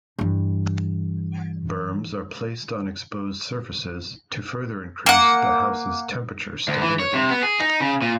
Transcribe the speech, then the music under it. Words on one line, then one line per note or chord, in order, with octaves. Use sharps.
Berms are placed on exposed surfaces to further increase the house's temperature stability.
G2 E3
A#3 F#5
D2
E3
C#5
C3
B3
G#4
D#4
C#3
A#2